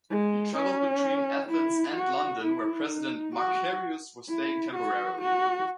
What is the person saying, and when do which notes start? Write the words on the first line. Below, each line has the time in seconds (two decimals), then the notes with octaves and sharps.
He travelled between Athens and London where President Makarios was staying temporarily.
0.10 G#3
0.56 C#4
1.49 E4
1.96 F#4
2.43 E4
2.89 D#4
3.35 F#4
4.29 E4
4.75 F#4
5.21 F#4